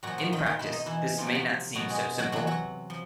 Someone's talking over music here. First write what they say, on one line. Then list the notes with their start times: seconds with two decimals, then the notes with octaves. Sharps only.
In practice this may not seem so simple.
0.03 A#2 F3 F#3 F#4
0.18 F3 F4
0.32 D#3 D#4
0.46 F4
0.59 B2 E4
0.73 D#4
0.86 E3 E4
1.18 C3 F3 F4
1.26 F#4
1.35 F3 F4
1.75 B2 F#3 F#4
1.90 G#3 G#4
2.18 F#3 F#4
2.32 C3 E3 F#3 F#4
2.47 F#3 F#4
2.90 F3